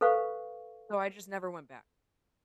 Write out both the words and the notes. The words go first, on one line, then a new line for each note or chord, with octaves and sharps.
so I just never went back.
A4 B4 C5 F5 C#6